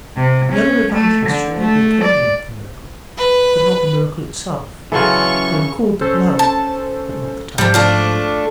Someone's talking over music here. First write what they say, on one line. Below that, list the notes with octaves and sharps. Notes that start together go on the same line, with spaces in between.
The other evangelists relate the occasion of the miracle, but not the miracle itself; they record the blow, but not the touch.
C3
C#4
A3
D3
A3
D5
B4
C#3 E3 F#3 C#4 F4 A4 C#6
C#4 A4 C5
A5
G#2 F3 G3 D4
A3 D4 F4